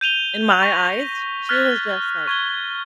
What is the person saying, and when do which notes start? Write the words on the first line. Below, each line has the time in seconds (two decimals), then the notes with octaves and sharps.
in my eyes, sh she was just, like,
0.01 G6 D#7 F7 G7
0.62 C#6 A#6 B6 D#7
1.49 F6 F#6 G#6 A6 B6
2.28 C#6 G#6 G7